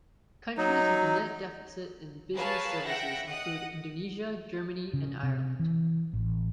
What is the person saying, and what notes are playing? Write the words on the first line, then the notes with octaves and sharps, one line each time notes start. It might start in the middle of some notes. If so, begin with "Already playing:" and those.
Countries with a net deficit in business services include Indonesia, Germany and Ireland.
F#3 D#4
G#4 A#4 B4 C#5 F5 A5
E5 F#5 G5 A#6
D#5 F#5 D#6
C#3
C3
E3
A1